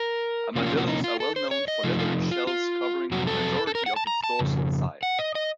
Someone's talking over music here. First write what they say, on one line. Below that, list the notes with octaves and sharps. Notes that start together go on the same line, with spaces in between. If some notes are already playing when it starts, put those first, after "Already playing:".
Armadillos are well known for leathery shells covering the majority of its dorsal side.
Already playing: A#4
C3 F3 A#3 C#4 F4
F#4
F4
F#4
D#4
F4
A4
C5
C#5
D#5
C3 F3 A3 D#4 F4
F4
F4
F4
F2 C3 F#3 F#4
A4
A4
A#4
F#5
A5
A#5
A5
F2 C#3
F#5
D#5
D#5